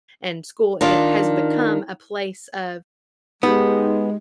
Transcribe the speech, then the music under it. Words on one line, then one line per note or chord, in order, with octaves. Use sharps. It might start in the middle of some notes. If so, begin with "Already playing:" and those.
and school, it has become a place of
D#3 D4 F4
G#3 B3 D#4 G4